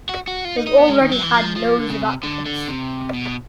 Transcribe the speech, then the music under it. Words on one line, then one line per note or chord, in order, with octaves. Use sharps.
They've already had loads of applicants.
F#4
F#4
F4
D#4
D#4
B3
G#3
D#3
F#3
E3
F3
F3
D3
C#3
C3
D3
D3
C3
B2